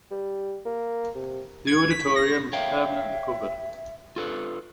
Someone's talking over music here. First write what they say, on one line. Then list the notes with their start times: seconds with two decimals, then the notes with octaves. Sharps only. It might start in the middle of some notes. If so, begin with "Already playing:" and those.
The auditorium is permanently covered.
0.11 G3
0.65 A#3
1.15 C3
1.67 G#6
1.91 B6
2.16 A#6
2.53 C#5 E5 F5 G5
4.16 F4 A4 B4